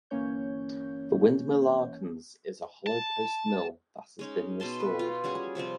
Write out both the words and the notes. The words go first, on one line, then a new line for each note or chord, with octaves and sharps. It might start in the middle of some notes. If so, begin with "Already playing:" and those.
The windmill "Arkens" is a hollow post mill which has been restored.
G1 E3 A#3 C#4 C#5 G6
A5
G#3 C#4 D#4
B2 D#5 A5 C6
B4
F4
G3 C#4 F#4 G#4
C3 F3 G3 C4